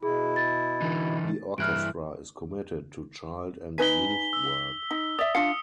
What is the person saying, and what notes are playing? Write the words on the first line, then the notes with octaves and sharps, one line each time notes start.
The orchestra is committed to child and youth work.
B2 E4 G#4
A6
D3 E3 D#4
G2 E3 E4 F6 F#6 D7
D#4 B4 G#5 B6 G7
E6
D#4
D5 E5 D#6
D4 F4 F5 C#7